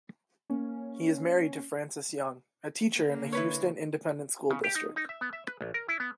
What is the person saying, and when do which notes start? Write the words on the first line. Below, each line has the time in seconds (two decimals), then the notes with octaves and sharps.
He is married to Frances Young, a teacher in the Houston Independent School District.
0.50 A#3 C#4
2.94 D3 A#3
3.33 E4 B4 C#5
4.50 C#3
4.64 G4
4.75 D#4
4.96 D#4
5.09 E5
5.21 B3
5.33 E5
5.47 B4
5.61 A#1
5.74 A#4
5.89 E4
6.00 B3